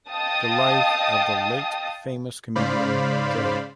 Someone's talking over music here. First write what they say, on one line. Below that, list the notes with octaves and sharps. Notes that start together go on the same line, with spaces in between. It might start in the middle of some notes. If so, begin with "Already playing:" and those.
The Life of the Late Famous Comedian, Jo.
D#5 F5 G5 A5 D#6
G#2 C#3 C5 D5 F5 B5